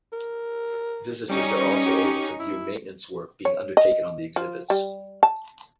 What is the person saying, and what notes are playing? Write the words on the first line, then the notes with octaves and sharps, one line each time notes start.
Visitors are also able to view maintenance work being undertaken on the exhibits.
A#4
G3 C#4 D#4 C#6
G4
E4
C#5
D#5
F3
G3
A5